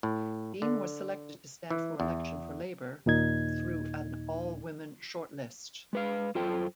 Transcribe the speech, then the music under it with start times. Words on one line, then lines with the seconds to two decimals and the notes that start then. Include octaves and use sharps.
Dean was selected to stand for election for Labour through an all-women shortlist.
0.03 A2
0.62 D3
1.70 E3
2.00 E2
3.06 D#2 A#2 D#4 G#6
5.93 G#3 B4 F5
6.35 F#2 F4 A4 C5 G5